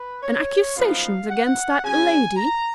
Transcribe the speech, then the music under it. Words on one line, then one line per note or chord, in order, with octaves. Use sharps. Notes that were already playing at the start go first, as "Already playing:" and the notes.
An accusation against that lady?
Already playing: B4
C#5
F#2 F3 B3 D#4 F5
F#5
C#3 F#3 C#4 G#5
A#5